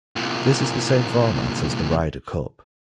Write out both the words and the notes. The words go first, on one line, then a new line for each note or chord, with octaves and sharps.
This is the same format as the Ryder Cup.
C2 A#2